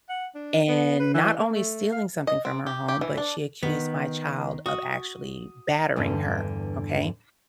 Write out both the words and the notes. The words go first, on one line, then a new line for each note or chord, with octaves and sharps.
And not only stealing something from her home, but she accused my child of actually battering her, okay?
F#5
D4
B3
B4
E3
A#3
A3
F5
D#5
C4
G4
G4
E3
D4
D#3 B3
F#4 D#6
E2 G2 D3